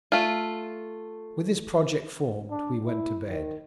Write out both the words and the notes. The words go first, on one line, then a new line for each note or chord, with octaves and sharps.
With this project formed, we went to bed.
A3 F4
D4
E4
D#3